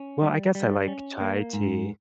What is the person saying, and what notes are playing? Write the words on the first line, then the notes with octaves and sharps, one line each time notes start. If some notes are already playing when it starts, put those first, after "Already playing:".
Well, I guess I like chai tea.
Already playing: C#4
G3
G3
C#4
A#3
G#2